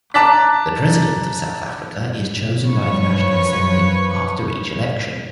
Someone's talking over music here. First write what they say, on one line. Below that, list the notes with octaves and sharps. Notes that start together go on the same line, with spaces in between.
The President of South Africa is chosen by the National Assembly after each election.
A5 A#5 D6 F#6 A6 B6
F#2 F3 B4 C#5 C#6